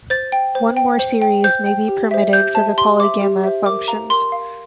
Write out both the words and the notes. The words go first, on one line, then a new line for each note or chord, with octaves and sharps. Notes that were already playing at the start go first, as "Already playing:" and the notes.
One more series may be permitted for the polygamma functions.
C5 A6
G5
C5
G5
C5
G5
C5 G6
G5
G4
C5 E5
G4 G6
C5 E5 A5
G4 C6
C5 E5 D6
G4
C5 E5
A#4 D6
F5 A#5
A#4 C6
F5